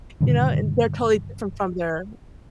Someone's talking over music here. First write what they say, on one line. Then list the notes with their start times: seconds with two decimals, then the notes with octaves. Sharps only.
You know, and they're totally different from their
0.21 G2 B2 D3 D#3